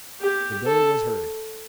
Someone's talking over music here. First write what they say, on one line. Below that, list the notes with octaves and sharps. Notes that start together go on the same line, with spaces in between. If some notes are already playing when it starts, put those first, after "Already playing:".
So Billy was herd.
G4
A4